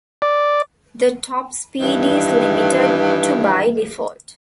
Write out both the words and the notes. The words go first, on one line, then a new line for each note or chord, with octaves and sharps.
The top speed is limited to by default.
D5
G2 D#3 E3